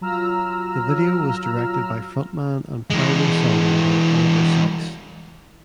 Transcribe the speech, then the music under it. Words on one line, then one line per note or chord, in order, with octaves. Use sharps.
The video was directed by frontman and primary songwriter Oliver Sykes.
F#3 F4 A#5 E6 F6
E3 G#3